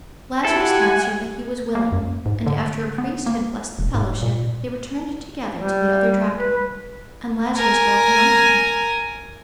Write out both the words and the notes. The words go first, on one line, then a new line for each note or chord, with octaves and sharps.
Lazarus answered that he was willing, and after a priest had blessed the fellowship, they returned together to the other Draken, and Lazarus dwelt among them.
E4 G4 A4 F#5 G#5
A#3
F#2
G#2
D3
B3
A#3
E1
G#2
A#2
G3
B4
A#4 G#5